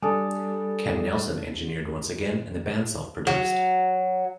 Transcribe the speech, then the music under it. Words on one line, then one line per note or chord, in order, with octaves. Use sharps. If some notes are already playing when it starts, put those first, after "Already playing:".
Ken Nelson engineered once again and the band self produced.
G3 D4 A4 G#5 D#6
F#3